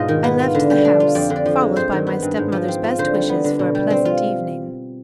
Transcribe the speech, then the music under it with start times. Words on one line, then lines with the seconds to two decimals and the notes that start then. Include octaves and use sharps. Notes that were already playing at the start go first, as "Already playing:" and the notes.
I left the house, followed by my stepmother's best wishes for a pleasant evening.
Already playing: G#2 B2 F4 D#5
0.08 D#3
0.24 B3
0.39 F4
0.54 D3
0.70 G3
0.85 D4
1.00 F4
1.15 F2 D5
1.30 D3
1.36 D5
1.46 F3
1.61 G#3
1.76 G2 C5
1.92 D#3
2.07 B3
2.22 G2
2.37 G#2
2.52 F3
2.68 C4
2.84 F4
2.98 D3 C5
3.14 G3
3.29 B3
3.44 D3
3.59 B2
3.75 G3
3.90 C4
4.05 F4